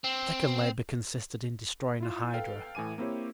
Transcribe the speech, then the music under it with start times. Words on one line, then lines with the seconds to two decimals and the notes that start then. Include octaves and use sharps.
The second labor consisted in destroying a hydra.
0.04 C4
2.00 E4 F4
2.34 A4 B4 F5 G5
2.75 A2 E3 G#5 D6 D#7
2.98 A#3 C4 E4 G4 C#5